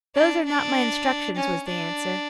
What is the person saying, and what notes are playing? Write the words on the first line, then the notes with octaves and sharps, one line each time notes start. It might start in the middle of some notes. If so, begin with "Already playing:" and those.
'Those are not my instructions,' was the answer.
D4
D4
C#4
D4